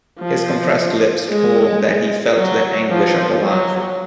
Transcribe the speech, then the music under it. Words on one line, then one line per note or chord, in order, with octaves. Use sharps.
His compressed lips told that he felt the anguish of the laugh.
F3
G#3
F#3
F3
F#3